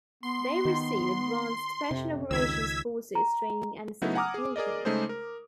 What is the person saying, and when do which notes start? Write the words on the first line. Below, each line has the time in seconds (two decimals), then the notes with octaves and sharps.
They receive advanced special operations forces training and certification.
0.23 B3 C6
0.65 D#3
1.91 F2 C3
2.31 C#2 D#3 E6 G#6 B6
3.15 A#5
4.02 C#3 F#3 A3 B3 D#4 E4
4.15 F#5 G#5 A#5 D6 D#6 F6
4.34 G#4
4.56 G#4 A#4 D5 D#5
4.85 C#3 G#3 A3 D#4 G#4 C5
5.09 A#4